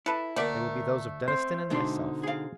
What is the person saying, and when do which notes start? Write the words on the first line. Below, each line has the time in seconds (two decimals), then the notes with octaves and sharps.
They will be those of Deniston and myself.
0.06 E4 A4 B4 A5
0.36 D2 A3 A#3 A#4 D5 E5 F#5
1.28 C4 C5
1.70 B2 D3 G#3 D4 D#4 C6
2.23 G#4 F5